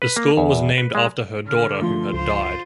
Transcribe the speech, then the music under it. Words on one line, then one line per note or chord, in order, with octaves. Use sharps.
The school was named after her daughter who had died.
B4
A#3
E2
B4
G#3
D3 F6
F3 A3 C6
C#2 F4 C5